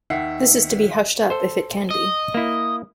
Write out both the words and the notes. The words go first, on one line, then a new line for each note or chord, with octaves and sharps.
This is to be hushed up if it can be.
D#2 D#3 E5 F#5 C7
A4 C5
D#5
A#3 E4